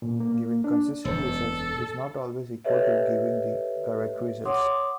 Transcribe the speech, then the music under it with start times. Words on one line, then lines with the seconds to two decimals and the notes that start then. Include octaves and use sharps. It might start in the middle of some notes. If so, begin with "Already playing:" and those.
Giving consistent results is not always equal to giving the correct results.
0.02 A#2
0.20 A#3
0.64 D4
1.05 E1 F#2 A4
2.64 G4 A4 B4 C#5 D#5 E5
4.45 C#5 F#5 C6 D6 D#6